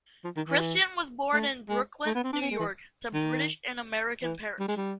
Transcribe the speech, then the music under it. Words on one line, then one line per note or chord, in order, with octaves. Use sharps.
Christian was born in Brooklyn, New York, to British and American parents.
F3
D#3
E3
A3
G#3
A3
B3
C4
D4
C#4
G#3
E3
D#3
E3
G3
G#3
G3